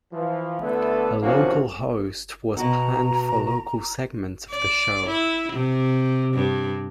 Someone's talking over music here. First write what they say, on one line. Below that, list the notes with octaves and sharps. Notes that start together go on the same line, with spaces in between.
A local host was planned for local segments of the show.
E3 F3
D3 A3 B3 E4 A4 B4
G#2 C3 F3 A#3 C#4 F#4
B2 F#4 F#5 A#5
D5
E4
C3
G2